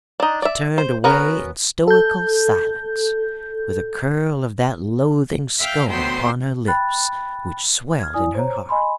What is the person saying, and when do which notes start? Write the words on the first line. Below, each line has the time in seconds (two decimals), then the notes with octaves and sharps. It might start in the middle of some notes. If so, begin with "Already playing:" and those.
She turned away in stoical silence, with a curl of that loathing scorn upon her lips which swelled in her heart.
0.20 D4 D#4
0.42 D5 E5
0.78 C5
1.04 B3 C#4 F#4 A#4
1.88 A4 G6
5.58 E5 F5 G5 F6 G6
5.89 D2 F#3 B3 C5 G5 C6
6.67 G5 B5 F#6 A6
8.00 F6 G#6
8.14 E4 D5 G#5 D#6
8.35 C5 C#5 A#5
8.69 D#5 G#5 B5 C6